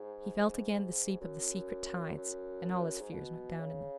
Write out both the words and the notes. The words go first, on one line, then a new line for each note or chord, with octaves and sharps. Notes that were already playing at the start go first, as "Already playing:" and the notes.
He felt again the sweep of the secret tides, and all his fears went down in them.
Already playing: G#2
F#2
F#2
G#2
B2
C#3